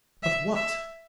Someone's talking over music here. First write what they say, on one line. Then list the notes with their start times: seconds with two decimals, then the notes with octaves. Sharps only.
But what?
0.23 E5
0.55 E5